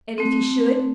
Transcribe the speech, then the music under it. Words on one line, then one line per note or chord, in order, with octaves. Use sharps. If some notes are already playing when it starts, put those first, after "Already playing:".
"And if he should?"
A3 C4